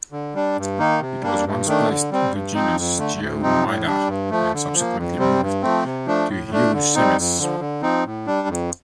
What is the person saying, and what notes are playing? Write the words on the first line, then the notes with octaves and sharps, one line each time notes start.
It was once placed in the genus "Geoemyda" and subsequently moved to "Heosemys".
D3
G3 D4
G2
D#3 A#3 D#4
C3
G3 A#3 D4
G2
D#3 A3 D4
D3
G3 C4
G2
F3 C4 D#4
F2
D3 A3
D2
C3 F3 C4 D#4
A2
G3 D4
G2
F3 A3
D3
F3
A#3
F2
C3 G3 C4
G2
F3 A3 C4
C3
F3 A3 D4
A2
A3 D4
D3
G3 C4 D#4
F2
D3 F3
D3
F3 C4 D#4
A2
G3 D4
F2